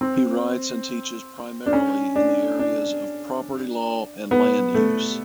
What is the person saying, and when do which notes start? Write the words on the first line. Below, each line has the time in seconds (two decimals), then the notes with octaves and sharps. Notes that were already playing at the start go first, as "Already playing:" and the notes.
He writes and teaches primarily in the areas of property law and land use.
0.01 C4
1.66 D4
1.73 C#4
2.16 D4
2.59 D4
4.31 B3
4.75 A3